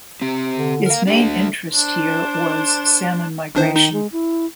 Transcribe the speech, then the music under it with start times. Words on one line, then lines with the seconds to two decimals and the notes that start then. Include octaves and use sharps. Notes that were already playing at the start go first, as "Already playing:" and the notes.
His main interest here was salmon migration.
0.21 C4 G4
0.55 D3
0.86 A#4 F5
1.07 D3 A3 D4 G4
1.23 D2
1.74 D4 C5
3.55 G1 D#3 D4 C5
3.76 D#4
3.93 G#3
4.12 E4